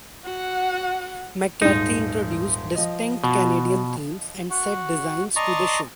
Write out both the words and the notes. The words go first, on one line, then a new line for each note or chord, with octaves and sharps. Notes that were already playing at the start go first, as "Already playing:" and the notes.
McCarthy introduced distinct Canadian themes and set designs to the show.
F#4 F#5
D#1 G#2 D#4
F3 D#5
B2
F#4
D5 D#5 A5 A#5 C6 C#6